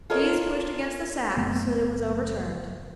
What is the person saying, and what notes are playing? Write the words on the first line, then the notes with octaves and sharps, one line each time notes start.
These pushed against the sack so that it was overturned.
F4 A4 A#4 C#5 D#5
F#1 A3 B3 C4